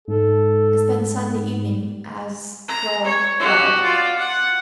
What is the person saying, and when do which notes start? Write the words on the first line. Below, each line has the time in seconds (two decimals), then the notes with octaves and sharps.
"I spend Sunday evening as--Well, well."
0.08 G#2 A4
2.68 A#5
3.05 C#5
3.39 F#4 G4
3.82 F4 D5
4.18 F#5